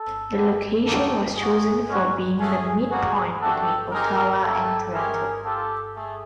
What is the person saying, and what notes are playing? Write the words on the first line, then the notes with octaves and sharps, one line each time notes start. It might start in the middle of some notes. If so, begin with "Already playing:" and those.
The location was chosen for being the midpoint between Ottawa and Toronto.
Already playing: A4
B3 E4 G4
G3 A#3 D#4 F#4 G4 A4
A#3 D#4 F#4 G#4
G#3 C#4 F#4
A3 C#4 F#4 G#4
G3 A#3 D#4 F#4 G#4
A3 D4 F#4 G4 A4
C4 D#4 G4 G#4 A#4
A#3 C#4 E4 G4 A4
G#3 C#4 E4 G4 G#4 A#4
C4 F4 G4 A4
A3 G#4